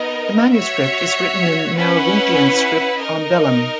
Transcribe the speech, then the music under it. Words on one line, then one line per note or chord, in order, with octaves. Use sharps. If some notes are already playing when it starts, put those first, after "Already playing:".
The manuscript is written in Merovingian script on vellum.
Already playing: B3 D#4 A#4 D#5
F#4 C#5 E5
C#4 E4 B4 F#5
D#4 A#4 D#5